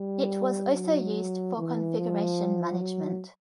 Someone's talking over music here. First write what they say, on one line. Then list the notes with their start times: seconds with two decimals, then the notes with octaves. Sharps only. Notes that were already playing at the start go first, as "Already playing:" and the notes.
It was also used for configuration management.
Already playing: G3
0.75 F#3
1.57 E3
1.98 F3
2.80 F#3